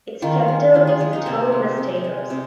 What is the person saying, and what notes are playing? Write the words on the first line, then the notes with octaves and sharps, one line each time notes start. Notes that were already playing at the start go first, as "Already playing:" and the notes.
Its capital is the town Mosteiros.
D#3 F4
G#3
D#3 F4
G#4
G#3 F4
D#4
C3 C4
G#3
C3
G#3
C3